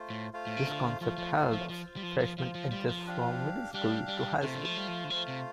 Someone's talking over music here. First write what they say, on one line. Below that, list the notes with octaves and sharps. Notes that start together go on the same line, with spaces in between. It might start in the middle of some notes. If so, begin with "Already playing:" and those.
This concept helps freshmen adjust from middle school to high school.
Already playing: A3 F4 C5
A2
A3 F4 C5 F5
A2
C3
D3
F3 A3 F4 C5 F5
F3
F3
F3 F4 C5 F5
G3
F3
F3
F3 F4 C5 F5
F3
G3
F3
D4 G4 F5
G3 D4 G4 F5
G3
C3 A3 F4 C5 F5
D3
F3
G3
F3
D3
F3 A3 F4 C5 F5
C3